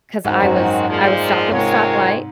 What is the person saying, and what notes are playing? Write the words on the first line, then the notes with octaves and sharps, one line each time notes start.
'cause I was I was stopped at a stoplight,
G#2 D#3 G#3 C4 F#4 C5
F#2
G#2
A#2 F3 G#3
G#2 C3 G#3 C4 F4 A#4 C#5